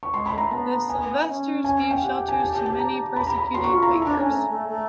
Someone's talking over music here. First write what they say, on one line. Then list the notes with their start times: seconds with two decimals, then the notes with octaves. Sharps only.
The Sylvesters gave shelter to many persecuted Quakers.
0.03 C#6
0.13 G#3 C6
0.26 B5
0.32 A3
0.38 A#5
0.51 B3 A5
0.90 G#5
1.27 C#4
1.64 G#5
1.91 G5
2.03 G4 F#5
2.15 G5
2.28 G#5
2.40 A5
2.53 A5
2.66 A5
2.79 A#5
3.16 B5
3.27 A#5
3.38 B5
3.54 F#4 C6
3.64 C#6
3.73 F4 C6
3.82 A#5
3.92 E4
4.02 D4 A#5
4.11 A5
4.18 C#4 G#5
4.30 A3
4.49 A3
4.68 A3